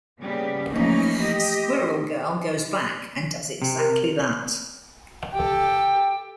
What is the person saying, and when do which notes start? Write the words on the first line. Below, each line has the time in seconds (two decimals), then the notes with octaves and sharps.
Squirrel Girl goes back and does exactly that.
0.20 C#3 G3 A#3 B3 G4
0.71 E3 F3 A3 A#3 C#4 D#4
1.21 G4 D#5
3.62 C3
3.79 A#4
5.32 G4 A4 G5